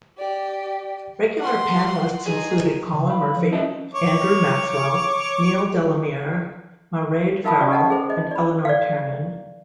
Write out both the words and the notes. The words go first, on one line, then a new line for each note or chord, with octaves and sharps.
Regular panellists included Colin Murphy, Andrew Maxwell, Neil Delamere, Mairead Farrell and Eleanor Tiernan.
G4 D5
F#5 C6
D#4 G#4
C#3
F5 B5
B5
F3
C#4 D#5 E5 A5
C#5 D6
D#4 A#4 F5 A5 B5 D#6
C#4 F#4 D5
D#5 F#5 A5
G#4 A4 C5
D#5
D5 B5
D5 F5